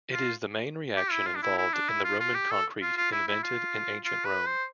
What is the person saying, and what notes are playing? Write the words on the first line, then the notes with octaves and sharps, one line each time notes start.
It is the main reaction involved in the Roman concrete invented in Ancient Rome.
F4
G4
E4
F4
D4
E4
E4
D4
E4
F4
F4
G4
A4
F4
F4
E4
E4
F4
F4
B4
C5